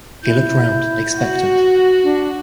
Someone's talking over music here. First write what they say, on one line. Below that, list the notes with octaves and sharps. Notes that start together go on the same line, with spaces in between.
He looked round, expectant.
E4 G6
F#4
D4